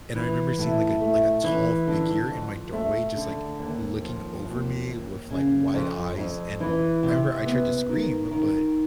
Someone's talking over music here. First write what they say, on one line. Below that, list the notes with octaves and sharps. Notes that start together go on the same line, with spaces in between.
And I remember seeing, like a a like, a tall figure in my doorway just, like, looking over me with, like, wide eyes, and I remember I tried to scream, but
E3
A2
A3
E3
D3
F2
A3
D3
D#2
F3
D#2
D#2
C#3
F2
F2
E3
C3
B3
D#3
D#3